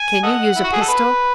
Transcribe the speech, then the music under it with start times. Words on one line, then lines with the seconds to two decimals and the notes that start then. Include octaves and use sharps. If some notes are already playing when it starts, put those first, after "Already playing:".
"Can you use a pistol?"
Already playing: G#5
0.23 A4 D#5 F#5
0.56 E4
0.64 F#4
0.73 G#4
0.81 A4
0.88 B4